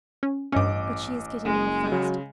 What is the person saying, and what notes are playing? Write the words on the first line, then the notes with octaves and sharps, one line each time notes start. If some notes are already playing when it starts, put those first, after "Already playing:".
But she is getting well fast.
C#4
A1 G2 C#4 D#5 D6
F#1 G#3
C#3 F#3